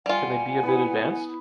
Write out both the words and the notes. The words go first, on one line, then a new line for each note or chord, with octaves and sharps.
Can they be a bit advanced?
G3 F4 F#5 G#5
B3 E4 B5